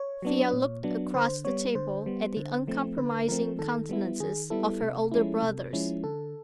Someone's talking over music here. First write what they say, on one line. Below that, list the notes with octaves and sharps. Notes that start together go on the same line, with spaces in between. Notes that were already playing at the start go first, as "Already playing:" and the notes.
Thea looked across the table at the uncompromising countenances of her older brothers.
Already playing: C#5
F#3 B3 D4
A#2
F#3 B3 D4
D3 C5
G3 B3 C#5
D3 C5
G3 B3
D3
F3 A3 C4
D3 B4
F3 A3 C4 A#4
D#3 A4
G3 B3 E4
D#3 G#4
G3 B3 E4 A4
C3
F3 G#3 C#4 E4
C3
F3 G#3 C#4 E4
D3 A4